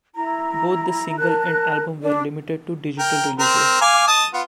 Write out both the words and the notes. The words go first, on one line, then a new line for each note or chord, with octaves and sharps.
Both the single and album were limited to digital releases.
E4 A#5
A#4 A5 F#6
D4 D5
A#4 G5
C4 A#4
F5 G#5 D6
D#5 A5 D#6
B3 F4